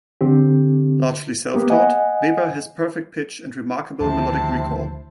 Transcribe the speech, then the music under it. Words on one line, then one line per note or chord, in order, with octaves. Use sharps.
Largely self-taught, Weber has perfect pitch and remarkable melodic recall.
D3 C4 G4
A#3 B3 G4
D#5 F#5 G#5
D2 C3 D#3 F3 E4 C5 A5